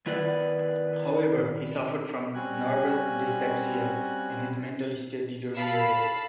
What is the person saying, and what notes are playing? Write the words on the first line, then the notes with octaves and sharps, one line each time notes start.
However, he suffered from "nervous dyspepsia" and his mental state deteriorated.
D#3 E4 B4 D5
G3 C4 C#4 F#4 G#5 F#6
F5 A5 B5 E6 C7